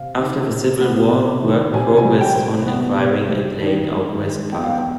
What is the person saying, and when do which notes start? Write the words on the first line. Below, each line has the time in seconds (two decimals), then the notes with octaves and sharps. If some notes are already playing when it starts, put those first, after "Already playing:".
After the Civil War, work progressed on acquiring and laying out West Park.
Already playing: C3 F5
0.19 D#3
0.49 C3
0.81 B3
1.11 C3
1.42 D#3
1.73 C3 G#5
1.97 G#5
2.05 G3
2.21 G5
2.35 C3
2.66 B3
2.98 C3
3.29 G3
3.59 D#3
3.91 G#3
4.22 D#3
4.52 B3 G5
4.63 F5
4.73 G5